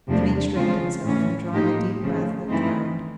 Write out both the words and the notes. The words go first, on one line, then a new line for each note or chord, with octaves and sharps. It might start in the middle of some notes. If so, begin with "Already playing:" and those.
Levin straightened himself, and drawing a deep breath looked round.
E2 C3 F3 A3 D4
C#3 F3 G#3 C4 F4
A2 E3 A3 C#4
A2 F3 A#3 D#4 G4
F2 C#3 F3 A3
G2 E3 A3 C4 D#4